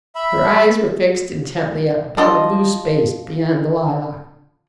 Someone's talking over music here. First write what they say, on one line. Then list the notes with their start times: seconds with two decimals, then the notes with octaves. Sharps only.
Her eyes were fixed intently upon the blue space beyond the lilac.
0.15 E5 B5
2.17 F3 D4 D#5